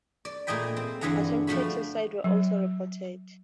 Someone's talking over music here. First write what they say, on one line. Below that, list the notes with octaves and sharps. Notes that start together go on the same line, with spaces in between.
Attempted suicides were also reported.
D5
A#2 A3 G#4 D#5 G5 B5
C4
G2 D3 E3 G#4 F#5 A#5
F3 G3 A3 D4 F#4 B5
F#3